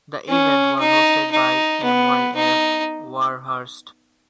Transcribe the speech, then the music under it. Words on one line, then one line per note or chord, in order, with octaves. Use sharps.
The event was hosted by Myf Warhurst.
C#4
D#4
D#4
B3
D#4